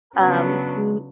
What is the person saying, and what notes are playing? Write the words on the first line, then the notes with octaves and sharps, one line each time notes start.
um, m
C#3 F#3 B3 D4